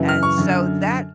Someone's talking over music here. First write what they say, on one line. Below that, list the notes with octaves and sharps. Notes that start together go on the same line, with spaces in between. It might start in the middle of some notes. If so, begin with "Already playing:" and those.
And, so, that
Already playing: F#2 C#3 E3
F6
C#6
F#2 D3